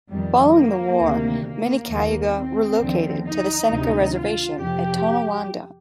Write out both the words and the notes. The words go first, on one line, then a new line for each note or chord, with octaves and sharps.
Following the war, many Cayuga relocated to the Seneca reservation at Tonawanda.
F2 D#3 G3
A#3
D2 C3 D#3
A#3
D#2 D#3
C4
D#2 D3 F3
D#4
D2 C3 D#3
F4
F2 C3 F3 G4